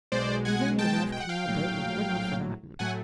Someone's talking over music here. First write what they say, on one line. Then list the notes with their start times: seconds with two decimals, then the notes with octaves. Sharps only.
Even the rough canal boatmen were not forgotten.
0.12 B1 B2 G#3 C5 D5
0.45 F#5 G#5
0.79 G5 A5
1.12 G5
1.20 F#5
1.29 F5 G5
1.46 A#1 A2 F#3
2.79 A2 F#3 A3 F#5 G#5